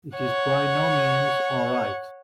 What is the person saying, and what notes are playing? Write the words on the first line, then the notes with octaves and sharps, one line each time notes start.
It is by no means all right.
C#5 F#5